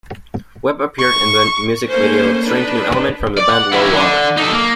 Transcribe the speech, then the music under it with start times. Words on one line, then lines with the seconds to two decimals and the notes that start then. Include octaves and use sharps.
Webb appeared in the music video "Strange New Element" from the band Low Water.
1.00 C#6
1.90 A3 A#3 C#4 C5
2.45 D4 D#4 B4
3.38 D5
3.51 F#5
3.73 C#4 E4
3.95 D3
4.37 D#4 A4
4.52 A#3